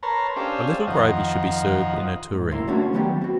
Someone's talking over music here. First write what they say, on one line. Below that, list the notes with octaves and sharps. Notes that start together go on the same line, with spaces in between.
A little gravy should be served in a tureen.
A#4 B4 C#5 A5 A#5 C6
C#4 D4 G4 A4 C5 F5
F2 D#3 F3 D#5 F#5
G#2
C#2 F#2 A#3 E4 C6
A3 A#3 C#4 D4 F#4
D#3 F#3 G3 B3 G4
C4 F#4